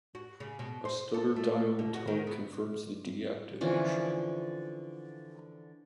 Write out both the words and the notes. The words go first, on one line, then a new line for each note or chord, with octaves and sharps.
A stutter dial tone confirms the de-activation.
F#4
C#3
B2
C5
A4
A3
B2
F#4
D#3
B3
D3 E3 F3 C#4